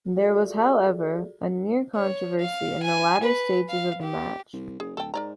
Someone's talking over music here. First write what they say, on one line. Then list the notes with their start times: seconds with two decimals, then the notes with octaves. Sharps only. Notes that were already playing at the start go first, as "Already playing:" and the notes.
There was, however, a near controversy in the latter stages of the match.
0.15 F4 F#4 G#4 A4 D5 E5
1.96 C#5
2.40 F5
2.83 G#5
3.24 B4
3.69 F5
4.02 G4
4.53 C2
4.80 F#1 G#4
4.97 D1 A4 G5
5.14 G#2 A#4 D5 A#5